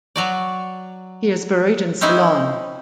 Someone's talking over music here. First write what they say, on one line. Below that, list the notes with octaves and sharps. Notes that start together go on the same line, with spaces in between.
He is buried in Ceylon.
F#3 F#4 D5
C4 C#4 D#4 E4 C5